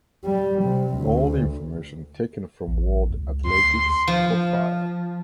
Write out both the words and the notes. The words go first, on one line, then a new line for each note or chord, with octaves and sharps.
All information taken from World Athletics profile.
G3
C3
D2
A1
C#2
D2 C6
F3